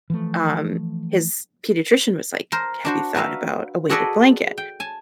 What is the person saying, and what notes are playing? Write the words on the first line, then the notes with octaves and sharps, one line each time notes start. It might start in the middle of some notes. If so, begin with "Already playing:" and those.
um, his pediatrician was like, "Have you thought about a weighted blanket?"
E3 F3 A3
A#4 C5
D4 F#4 C5
F#4 A#4 B4 E5 F5
F#4 G#4 A4 B4 D5 D#5
G5
G#5 A5